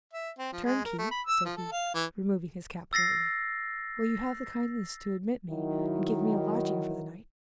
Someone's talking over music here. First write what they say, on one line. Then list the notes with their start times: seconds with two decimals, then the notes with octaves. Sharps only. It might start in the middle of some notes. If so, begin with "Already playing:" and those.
"Turnkey," said he, removing his cap politely, "will you have the kindness to admit me, and give me a lodging for the night?"
0.13 E5
0.39 C4
0.52 F3
0.65 G#3
0.85 A#4
0.99 A3
1.11 B5
1.27 E6
1.45 F3
1.57 A4
1.72 F5
1.94 E3
2.93 E6 A6 A#6 C7
5.50 D#3 F#3 E4